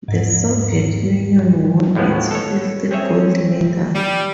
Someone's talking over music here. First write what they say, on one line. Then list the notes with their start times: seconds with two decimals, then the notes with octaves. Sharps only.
The Soviet Union won its fifth gold medal.
0.08 E2 G#2
1.95 D#2 A2 F3 G#3 B3
2.31 A4 C#5
2.91 C4 C#4 G#4 C#5 E5
3.94 G3